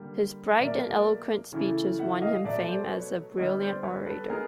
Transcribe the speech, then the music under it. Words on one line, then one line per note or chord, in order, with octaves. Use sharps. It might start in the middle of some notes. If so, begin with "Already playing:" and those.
His bright and eloquent speeches won him fame as a brilliant orator.
Already playing: D3 G3 A#3
B2 F#3 A#3 D5 E5
C#3 E3 A3
E5 F#5
D#5 F5
B2 F#3 A3 D5 E5
C5 D5
B4 C#5
D3 G3 B3 C#5 D#5
C5 D5
B4 C#5
A4 B4
G#3 B3 G#4 A#4